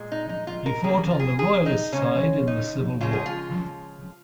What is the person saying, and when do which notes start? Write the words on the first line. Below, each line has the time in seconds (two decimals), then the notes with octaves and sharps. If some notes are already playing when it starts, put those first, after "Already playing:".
He fought on the Royalist side in the Civil War.
Already playing: A#2 G#3
0.12 D#4
0.29 D#4
0.47 F4
0.66 A#4
0.84 C#3 A#3 G#4
1.11 F4
1.20 G#4
1.39 G#4
1.66 D#4
1.92 C#3 G#3 C#4
2.47 D#4
3.01 C#3 F3 G#3 F4
3.13 G#4
3.26 F4